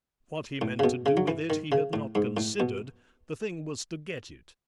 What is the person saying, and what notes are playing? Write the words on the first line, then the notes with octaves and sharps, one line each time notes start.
What he meant to do with it he had not considered, the thing was to get it.
A2
C#3
B2
C#3
F#3
E3
D#3
C#3
A2
G#2
A2
B2